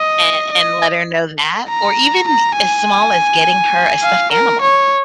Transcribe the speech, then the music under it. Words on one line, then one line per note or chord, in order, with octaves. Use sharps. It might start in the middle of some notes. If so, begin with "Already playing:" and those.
a and let her know that, or even as small as getting her a stuffed animal,
Already playing: D#5
D#5
A#5
A#5
G#5
F5
A#4
C#5